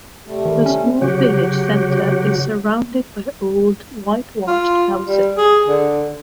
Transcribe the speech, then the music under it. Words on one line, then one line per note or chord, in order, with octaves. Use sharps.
The small village center is surrounded by old whitewashed houses.
C3 G3 A3
D#3
C#4
C#3 F#3 F#4 G4
F4
G3
G#4
D3